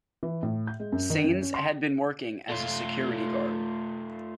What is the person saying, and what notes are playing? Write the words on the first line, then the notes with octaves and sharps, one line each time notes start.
Sanes had been working as a security guard.
E3
A2
G6
G#3
F#2
D#3
F#2
C#4
C6
A3 F4